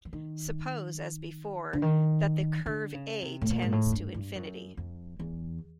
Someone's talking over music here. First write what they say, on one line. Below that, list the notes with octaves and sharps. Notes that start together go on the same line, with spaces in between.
Suppose, as before, that the curve "A" tends to infinity.
E3
D#3
D3
D#3
D3
C#3
C3
A2
A#2
G#2
A2
G2
G2
F#2
F2
E2